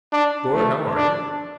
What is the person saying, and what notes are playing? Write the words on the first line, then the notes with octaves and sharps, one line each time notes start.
Gore, how are you?
D4
A3
D4